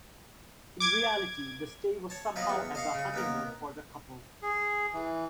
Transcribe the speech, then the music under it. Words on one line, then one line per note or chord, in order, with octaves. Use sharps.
In reality, the stay was somehow as a honeymoon for the couple.
D6 G#6
C#5 A5
F3 F#3 B3 B4 D#5
E2 C#6
D#5 F5 C#6
C#3 C#6
D#2 B3 A#4
G#4
E3